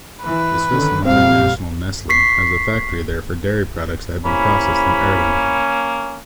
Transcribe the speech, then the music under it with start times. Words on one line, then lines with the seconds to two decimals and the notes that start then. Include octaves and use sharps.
The Swiss multinational Nestlé has a factory there for dairy products that have been processed in Ergun.
0.24 E3 B4
0.69 D3 D#3 C#4
1.05 A#1 F2 C3 G3 F5
2.09 C#6 B6 C7
4.25 C3 A#3 C#4 E4 B5